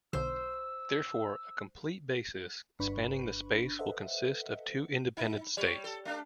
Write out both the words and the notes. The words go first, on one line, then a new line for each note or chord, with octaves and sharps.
Therefore, a complete basis spanning the space will consist of two independent states.
B1 D3 C5 E6
G1 G2 D4 B4 B5 C#6
A4 B4 C5 D#5 E5 F#5
D#4
G3 C#5
A4
A3 D4